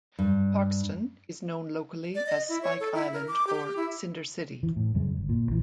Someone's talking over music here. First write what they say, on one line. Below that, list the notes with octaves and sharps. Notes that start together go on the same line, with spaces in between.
Parkeston is known locally as "Spike Island" or "Cinder City".
G2
D5
D#5
E4
C#5
A4
E4
A#4
D6
G4
E4
E3
A2
F#2 C#3 G#3
G1
A#2
A#1 E3